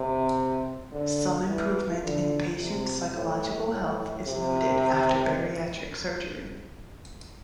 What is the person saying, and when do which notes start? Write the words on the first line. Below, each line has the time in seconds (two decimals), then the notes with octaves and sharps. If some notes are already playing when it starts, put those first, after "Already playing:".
Some improvement in patient psychological health is noted after bariatric surgery.
Already playing: C3
0.92 D3
1.47 E3
2.03 D3
2.58 C3
3.14 A2
3.70 A2
4.25 C3